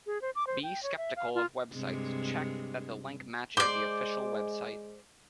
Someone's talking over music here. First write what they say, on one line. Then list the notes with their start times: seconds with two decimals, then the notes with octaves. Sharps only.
Be skeptical of websites, check that the link matches the official website.
0.06 G#4
0.22 C5
0.35 D6
0.47 C5
0.63 G5
0.83 C#5
0.97 E5
1.16 F5
1.35 F4
1.74 G2 C3 G#3
3.57 G#3 C5 D5 D6